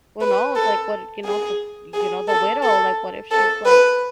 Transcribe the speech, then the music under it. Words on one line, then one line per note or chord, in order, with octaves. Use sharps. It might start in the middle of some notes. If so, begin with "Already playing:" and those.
who knows? Like, what you know, the you know, the widow, like, what if she's, like,
B4
A4
G#4
G#4
A4
A4
A4
B4